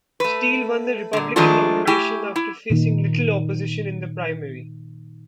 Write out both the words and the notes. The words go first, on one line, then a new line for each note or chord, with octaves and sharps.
Steele won the Republican nomination after facing little opposition in the primary.
A3 B4
A#2 D3
D#3 F3 G#3 A3 D4 F4
A3 E4 G4 G5 G#5
E4
A#2 D#3 D#4